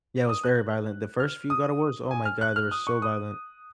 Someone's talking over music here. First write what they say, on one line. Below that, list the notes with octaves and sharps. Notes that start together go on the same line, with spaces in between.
Yeah, it was very violent. The first few God of Wars oh my god, they were so violent.
D#6
F#6
F6
D#6
G#5
F6
F#6
F6
D#6
C#6
D#6